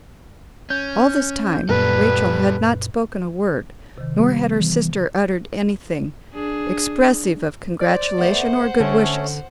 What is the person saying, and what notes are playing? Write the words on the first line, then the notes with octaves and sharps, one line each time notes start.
All this time Rachel had not spoken a word, nor had her sister uttered anything expressive of congratulation or good wishes.
C#4 G6
F#2 A#2 G3 A4 B4
C3 D#3
G3 B3
E3
D4 G#4
C5 D5
A3 B3 C5 F#5
D3 A3 C#4 A4 C#5